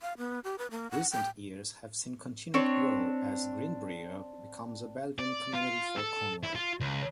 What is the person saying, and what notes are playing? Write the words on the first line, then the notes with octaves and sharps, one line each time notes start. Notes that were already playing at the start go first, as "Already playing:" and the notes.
Recent years have seen continued growth as Greenbrier becomes a bedroom community for Conway.
F5
B3
G4
B4
A#3
F#5
G5
C4 D4 C#5
D5
F4
A4
E4
F4
C#2